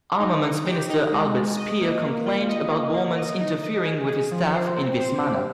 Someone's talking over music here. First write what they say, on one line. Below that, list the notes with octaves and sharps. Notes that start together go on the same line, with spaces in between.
Armaments Minister Albert Speer complained about Bormann's interfering with his staff in this manner.
D#4
D#4
G4
D#4
G#3
G#3
D#5
A#3
A#3
F4
D#5
A#3
A#3
D#5
D#4
D#5
G#4
G#4
F3
C5
C4
C5
G4